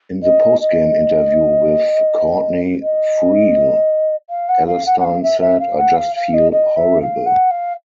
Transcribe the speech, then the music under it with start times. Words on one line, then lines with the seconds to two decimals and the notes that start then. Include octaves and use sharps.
In the post-game interview with Courtney Friel, Alstyne said, I just feel horrible.
0.23 D#5
0.60 D#5
2.82 D#5
4.30 F5
4.48 F#5
4.67 F5
4.86 F#5
4.99 F#5
5.04 F5
5.23 E5
5.40 E5
5.59 F5
5.78 F#5
5.96 F5
6.15 F5
6.33 D#5
6.52 D#5
6.76 E5
7.02 F5
7.26 F#5
7.50 F5